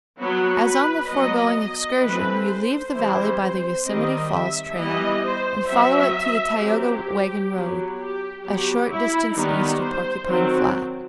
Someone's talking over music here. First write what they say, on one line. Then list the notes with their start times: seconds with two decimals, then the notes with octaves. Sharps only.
As on the foregoing excursion, you leave the Valley by the Yosemite Falls trail and follow it to the Tioga wagon-road, a short distance east of Porcupine Flat.
0.19 F#3 B3 F#4
0.65 B4
1.10 F#3 B3 D#5
1.56 D#5
2.01 E3 A3 C4 B4
2.47 C5
2.93 E3 G3 C4 C5
3.85 D#3 G3 C4 D#5
4.30 E5
4.76 E3 G3 B3 D#5
5.23 C5
5.67 F#3 C4 E5
6.59 F#3 C4 G4
7.52 F#3 B3
7.97 G4
8.42 F#3 B3 G4
8.88 E4
9.33 D#3 G3 B3 D#4
9.79 C5
10.26 D#3 F#3 C4